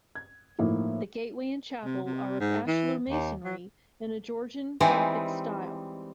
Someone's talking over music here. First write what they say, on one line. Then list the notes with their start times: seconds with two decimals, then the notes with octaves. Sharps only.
The gateway and chapel are of ashlar masonry in a Georgian Gothick style.
0.15 G#6
0.59 A2 F3 A#3 D#4 E4
1.84 C3
2.06 C3
2.40 G#2
2.67 E3
3.10 D#2
3.45 F#3
4.80 E3 G3 G#3 C4 D#4